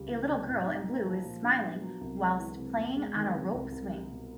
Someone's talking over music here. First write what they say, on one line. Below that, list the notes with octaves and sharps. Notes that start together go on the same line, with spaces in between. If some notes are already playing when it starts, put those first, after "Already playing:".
A little girl in blue is smiling whilst playing on a rope swing.
Already playing: C#2 G3
E3
C3
A2
D#4
A#3
F3
A#2
D4
B3
F#3
C2
G#3
E3
C3
E2
G#3
D#3
C3
C2
C2
G3
B2